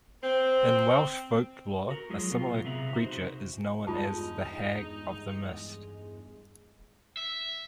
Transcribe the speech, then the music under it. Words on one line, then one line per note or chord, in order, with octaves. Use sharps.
In Welsh folklore, a similar creature is known as the hag of the mist.
C4
F#4 A#4
F3 F#3 G#3
B2 F4
C3 C4 G#4 E5 F#5 A#5
D#4 E4 F#4 C5
E2 G2 G#3 D#4 F4 A5
E5